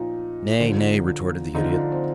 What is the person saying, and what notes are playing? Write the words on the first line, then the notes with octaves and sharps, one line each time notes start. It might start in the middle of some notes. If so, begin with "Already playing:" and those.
"Nay, nay," retorted the Idiot.
Already playing: A#2 F3 D#4
D3 F3
D3 F3 D#4
F4
D#4
D4
C4